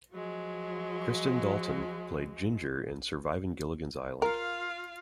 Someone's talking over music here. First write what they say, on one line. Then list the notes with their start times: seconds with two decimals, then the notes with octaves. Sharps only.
Kristen Dalton played Ginger in "Surviving Gilligan's Island".
0.13 F3 F#3 G#3
4.22 F4 A#4 F5